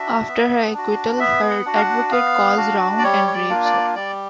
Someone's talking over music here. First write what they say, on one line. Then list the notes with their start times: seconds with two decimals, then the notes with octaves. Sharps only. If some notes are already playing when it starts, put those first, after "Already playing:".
After her acquittal, her advocate calls round and rapes her.
Already playing: D4 F#4 E5
0.28 B3
0.73 D4 F#4
1.19 B3 E5
1.50 F#5
1.66 D4 F#4
1.76 F5
1.81 F#5
2.11 B3 F5
2.57 D4 F#4
2.98 D5
3.03 G3 C#5
3.27 C#5
3.33 D5
3.49 A#3 D4 F4
3.65 D5
3.95 G3 D5